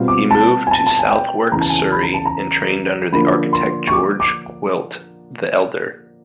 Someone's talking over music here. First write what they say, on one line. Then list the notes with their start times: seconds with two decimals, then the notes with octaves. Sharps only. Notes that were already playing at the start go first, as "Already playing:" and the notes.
He moved to Southwark, Surrey and trained under the architect George Gwilt the elder.
Already playing: B2 G3 C4 F4
0.08 D6
0.31 A5
0.67 G#5
0.71 A5
0.87 A5
0.99 G#5
1.11 G5
1.52 E2 C#3 E3 A#5
1.61 A5
1.70 G#5
1.78 A5
1.92 B5
2.03 A#5
2.14 A5
2.26 A#5
3.12 D3 F3 A#3 D4 B5
3.53 C6
3.87 C#6
3.93 D6
4.20 D6